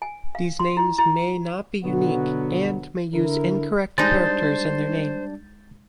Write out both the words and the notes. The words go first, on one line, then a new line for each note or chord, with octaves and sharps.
These names may not be unique and may use incorrect characters in their name.
G#5
F5
C6
E4
E4
B2 D3 F#3 B3 F#4
D3 E4 A#4
G3 G#3 D4 D#4 C5 A#5 G6 A6